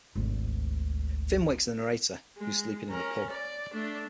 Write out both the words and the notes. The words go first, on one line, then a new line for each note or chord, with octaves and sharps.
Finn wakes the narrator, who was sleeping in the pub.
G#1 D2
G#3
C#4 A#4
D5
A3 D4